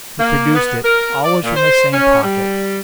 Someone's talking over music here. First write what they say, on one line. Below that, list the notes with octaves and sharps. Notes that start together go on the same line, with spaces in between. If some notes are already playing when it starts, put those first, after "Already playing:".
He produced it--always from the same pocket.
A#3
B3
A#4
D5
A#2
C5
C#4
G3